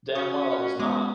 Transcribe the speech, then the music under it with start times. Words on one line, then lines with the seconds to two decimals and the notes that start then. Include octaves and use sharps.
damn well I was not.
0.15 C#4 F#4 C#6 D#6
0.79 G#3 B3 D6